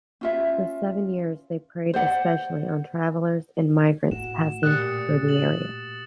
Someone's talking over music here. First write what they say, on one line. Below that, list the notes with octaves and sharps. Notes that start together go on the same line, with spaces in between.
For seven years they preyed especially on travelers and migrants passing through the area.
C#4 F4 E5
C5 D5 F#5
A2 F#4 E7
A#2 G4 D5 D#6 F#6 A6 C#7
A6 E7 F#7